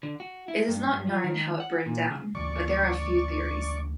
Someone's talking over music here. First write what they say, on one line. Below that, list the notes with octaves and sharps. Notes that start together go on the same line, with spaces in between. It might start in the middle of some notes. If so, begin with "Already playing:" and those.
It is not known how it burned down, but there are a few theories.
D3
F#4
E4
G2
G2
F3
D#3
F#5
A#2
C#3
D2 C#3 E3 D5 C#6